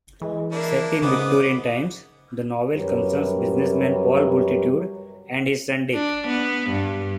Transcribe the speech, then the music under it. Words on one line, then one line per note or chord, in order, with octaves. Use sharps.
Set in Victorian times, the novel concerns businessman Paul Bultitude and his son Dick.
E3 G#3
A#3 D4 E4 A#4
G#2 C#3 B3 D6 D#6
F#2 G3 G4 A#4 B4 C#5
D4
B3
G2